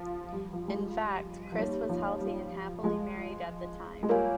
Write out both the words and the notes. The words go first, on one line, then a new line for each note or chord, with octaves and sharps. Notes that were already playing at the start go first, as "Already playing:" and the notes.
In fact, Criss was healthy and happily married at the time.
Already playing: F3
G3
F3
G#3
G3
F3
G3 A#3 D#4 G4 C#5
F3
G3
F3 G#3
G#3
G3 A#3 F4 A#4 C#5 F5 G#5